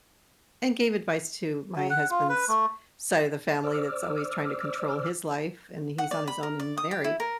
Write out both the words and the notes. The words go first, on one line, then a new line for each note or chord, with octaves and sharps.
and gave advice to my husband's side of the family that's always trying to control his life and he's on his own and married,
F#3
F#5
F4
B4
A3
C5 D5 D6 E6 F6
F#5
D5
B5
A#4
D5
D#6
G4
E4
A#4